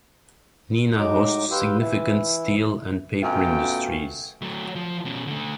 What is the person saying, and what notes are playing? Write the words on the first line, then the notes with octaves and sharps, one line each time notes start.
Neenah hosts significant steel and paper industries.
A2 F#3 G#3 D#4 D6
G4 B4 F5 G5 C6 E6
E3 E4
F#2 B2 A3 F4 G5
F#3 A3
F3
B2 C#4
D3 A3